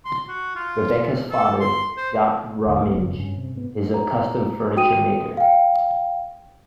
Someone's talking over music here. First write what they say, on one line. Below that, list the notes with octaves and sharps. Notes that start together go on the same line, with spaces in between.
Rebecca's father, Jaap Romijn, is a custom furniture maker.
C6
F#4
F4
A4
C6
C5
D#2 D3 A#3
F1 C#2 B3
F#2 C#3
G2 C#4
C3
G#2 B3
A#5
F#4 G5 D#6 D#7
F5 G5